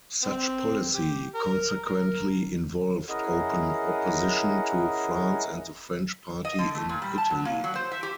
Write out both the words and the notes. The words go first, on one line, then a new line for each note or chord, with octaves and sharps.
Such policy consequently involved open opposition to France and the French party in Italy.
C4
G4
A#4
A#4
C#4 E4 G#4 A#4 D#5 F#5
D#5
D3
A3
A#2
G3
A5
F#3
A#3
F#3
C5
E5
G4